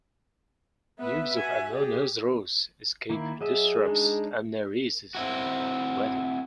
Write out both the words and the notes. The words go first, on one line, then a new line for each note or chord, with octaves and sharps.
News of Amonasro's escape disrupts Amneris' wedding.
B3 B4 E5
F#4 G#5
G4 G#4 D5
D#3 A#3 E4
F#3 G#4 D#5 E5
G#3 D4 D#4
C4 E4 F#4